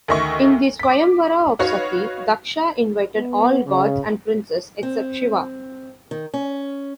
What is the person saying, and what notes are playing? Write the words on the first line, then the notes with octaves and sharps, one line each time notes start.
In the Swayamvara of Sati, Daksha invited all gods and princes except Shiva.
D2 D#3 D#5 E5 C#6
D6 B6
D#4 F#4 B4 C#5 F5
B3
C#3
C4
D#3
C#4